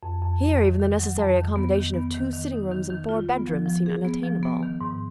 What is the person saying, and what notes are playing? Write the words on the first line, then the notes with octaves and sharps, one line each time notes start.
Here, even the necessary accommodation of two sitting-rooms and four bed-rooms seemed unattainable.
F2
F2
F2
D#3
D#3
F#3
F2
D#3
B3
D#3
B3
D#3
D#3
D#4
D#3
D#3
F4
B3
F3
F3
G#4
B3
F3
B3
D#3
G#2